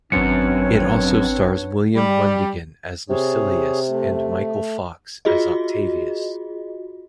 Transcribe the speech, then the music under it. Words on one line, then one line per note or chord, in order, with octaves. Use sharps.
It also stars William Lundigan as Lucilius and Michael Fox as Octavius.
G#1 F#2 B3 C4 D4 C#5 C#7
G3
C3 G#4 C#5
A3
F4 F#4 G#4 D#5